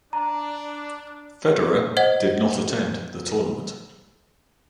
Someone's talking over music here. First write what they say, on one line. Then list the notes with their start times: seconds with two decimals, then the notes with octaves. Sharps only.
Federer did not attend the tournament.
0.13 D4 A#5
1.97 C5 D#5 F#5 G#6